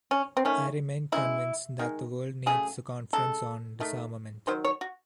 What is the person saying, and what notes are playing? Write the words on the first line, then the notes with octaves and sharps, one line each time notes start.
I remain convinced that the world needs a Conference on Disarmament.
C#4
C4
D#3 A3 C#4
C#3 G#3 E4
D#3 G#3
C#3 F#3 A3 G#4
C#3 G#3 A4
D#3 A3
D#3 F#3 C5
C#5
F#4